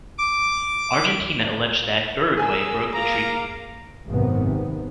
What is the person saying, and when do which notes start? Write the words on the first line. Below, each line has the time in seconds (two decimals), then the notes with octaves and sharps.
Argentina alleged that Uruguay broke the treaty.
0.18 D6
2.37 G#4 A#4 G#5 E6
2.95 A#3 F5 A#5 D6
4.07 G#1 F#2 C3 D#3 B3